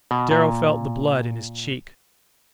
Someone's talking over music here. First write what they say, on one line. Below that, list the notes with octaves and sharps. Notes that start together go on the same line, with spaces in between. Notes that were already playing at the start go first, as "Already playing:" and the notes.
Darrow felt the blood in his cheek.
B2
A#2